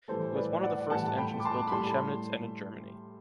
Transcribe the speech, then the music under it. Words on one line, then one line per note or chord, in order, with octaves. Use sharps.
It was one of the first engines built in Chemnitz and in Germany.
A2 E3 G3 A4 C5
B4 D5
D5 F#5
A2 E3 G3 F#5 A5
G5 B5
D6
A5 C6
B5
A2 G3 A5 C6